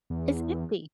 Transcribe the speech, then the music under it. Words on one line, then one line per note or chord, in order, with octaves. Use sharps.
It's empty!
E2